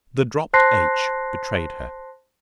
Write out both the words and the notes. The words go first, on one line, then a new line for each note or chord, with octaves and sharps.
The dropped "h" betrayed her.
C5 A5 C6 F#6 A#6 C7